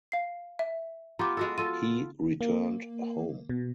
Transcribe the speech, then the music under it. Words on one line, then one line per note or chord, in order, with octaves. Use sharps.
He returned home.
F5 C7
E5
B3 F4 G4 A#5 D6
G#3 F#4 A4
F4 A4 D#7
A#3
B2